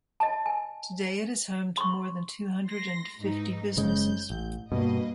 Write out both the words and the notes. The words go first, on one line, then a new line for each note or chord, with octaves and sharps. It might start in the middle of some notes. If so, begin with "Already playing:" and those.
Today it is home to more than two hundred and fifty businesses.
D#5 A5
G#5
C6 C#6
C6 A#6
G#2 E3 D#4
F#1 C#3 G#3 G6
A1
G2 B2 A#3 B4 D#5